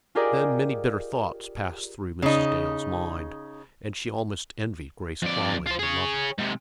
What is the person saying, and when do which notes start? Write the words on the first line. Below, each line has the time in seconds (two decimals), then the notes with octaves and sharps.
Then many bitter thoughts passed through Mrs. Dale's mind, and she almost envied Grace Crawley her lover.
0.15 F4 G4 G#4 A#4 D5 D#5
2.22 C#3 D#4
5.22 F2 D5
5.66 F4 C5
5.79 G#4 C#5
6.39 G#2 C3